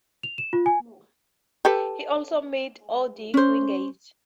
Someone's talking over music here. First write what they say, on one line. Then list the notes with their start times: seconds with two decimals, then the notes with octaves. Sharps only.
He also met Orde Wingate.
0.23 F7
0.38 E7
0.53 F4
0.66 G#5
1.65 G4 A4 B4
3.34 C#4 C5